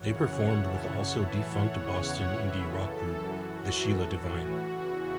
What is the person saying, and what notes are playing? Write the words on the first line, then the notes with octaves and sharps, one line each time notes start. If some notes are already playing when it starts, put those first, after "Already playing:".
They performed with also defunct Boston indie rock group The Sheila Divine.
Already playing: F#2 C#3 E3 C#5 F#5
F#2 C#3 E3 E5 A5
C#5 F#5
A2 E3 E5 A5
C#5 F#5
E2 C#3 E3 C#5 F#5
F#2 C#3 E3 B4 E5
A4
F#2
E3
F#4
F#2 E3
A4
A2 E3 F#4
E2 C#3 E3